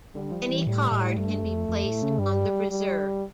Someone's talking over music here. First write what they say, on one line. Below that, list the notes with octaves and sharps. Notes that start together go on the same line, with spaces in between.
Any card can be placed on the reserve.
D3 G3
F3
E3
A2 G3
A2
G2 A3
F2
F2
A2
C#3
G2 G3
G3